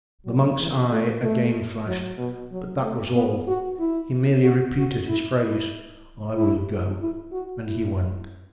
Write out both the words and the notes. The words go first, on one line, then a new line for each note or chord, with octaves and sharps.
The monk's eye again flashed, but that was all; he merely repeated his phrase, "I will go,"--and he went.
F#3
E3
A3
A3
F#3
B2
F#3
A3
B3
F#4
E4
F#4
F#4
E4
E4
E4
E4
F#4
E4